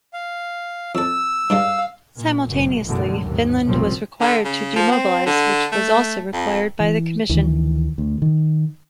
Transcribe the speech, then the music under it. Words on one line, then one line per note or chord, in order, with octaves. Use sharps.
Simultaneously, Finland was required to demobilize, which was also required by the commission.
F5
F2 A4 E6
G2 G3 G#3 F5
A#2
F#1 F#2 B2
A1 F#2 B2 D3 G3 G#3
D#2 G#2
F1 B1 F#2 F3 G3 C4
D3
C#3
F3
C4
D3
A3
F2
E3
D2 D#3 E3
D2
D#3